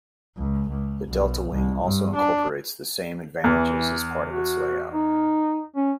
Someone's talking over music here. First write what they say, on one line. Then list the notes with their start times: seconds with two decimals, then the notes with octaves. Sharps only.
The delta wing also incorporates the same advantages as part of its layout.
0.37 C#2
0.69 C#2
1.08 B1
1.51 C2
1.83 G2
2.14 D4
3.44 E2 E3
4.31 F#4
4.92 D#4
5.76 C#4